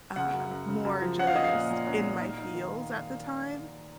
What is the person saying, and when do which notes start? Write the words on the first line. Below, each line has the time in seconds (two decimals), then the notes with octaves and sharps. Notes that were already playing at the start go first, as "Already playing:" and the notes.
uh, more just in my feels at the time,
0.16 C#3 F#5
0.34 F#2
0.51 F#2
0.68 C#3
0.85 F#2
1.02 F3
1.19 C#4 F#5
1.27 F5
1.36 C#4 D#5
1.44 F5
1.53 A#2
1.70 A#2
1.87 C#4
2.04 A#2
2.21 D#4
2.38 D#4
2.55 D#3